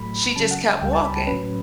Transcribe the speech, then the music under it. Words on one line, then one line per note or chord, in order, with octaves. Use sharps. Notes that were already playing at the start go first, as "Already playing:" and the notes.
she just kept walking,
Already playing: A2 F#3 A3 B5
C#3 F#3 C#4 A5
F#5
E5
C#2 C#3 G3 G5
A5
B5
A5
A2 F#3 C#4 B4